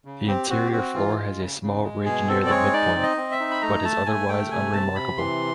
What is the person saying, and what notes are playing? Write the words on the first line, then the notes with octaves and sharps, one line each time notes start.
The interior floor has a small ridge near the midpoint, but is otherwise unremarkable.
C#3
C4 G4
C4 F#4
G4
C4 F#4
E3 F4
G#3
C#3
C#3
G#3
B2 G#4
C4 A4
D5
G#3 C#5
D#4 D5
C4
D#5
C4
E5
D#4
B5
A3 A#5
A3 A5
A3 G#5
A3 G5
C3 G#5
C3 A5
C3 B5
E3 C6